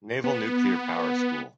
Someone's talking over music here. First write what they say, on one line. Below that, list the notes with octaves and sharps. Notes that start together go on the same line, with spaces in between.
Naval Nuclear Power School.
B3